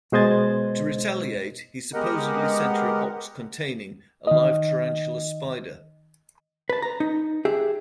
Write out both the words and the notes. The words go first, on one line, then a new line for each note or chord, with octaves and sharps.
To retaliate, he supposedly sent her a box containing a live tarantula spider.
B2 G#3 C5 D#5 G#6 A6
G#3 B3 G4 A#4 D#5 F#5
D#3 D#5
B4 A5
A#5
D#4
G4 G#4 E5